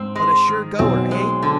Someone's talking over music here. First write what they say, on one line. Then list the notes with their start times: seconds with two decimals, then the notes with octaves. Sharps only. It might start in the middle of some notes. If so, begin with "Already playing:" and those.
"But a sure goer, eh?"
Already playing: G#2 C4
0.15 G#3
0.48 D#3
0.79 B1 B2 C4
1.11 G#3
1.42 D3